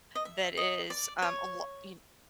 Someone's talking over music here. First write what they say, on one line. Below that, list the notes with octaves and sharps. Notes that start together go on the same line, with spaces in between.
that is, um, a lo y kn
D#5
E5
D#5
D5
C#5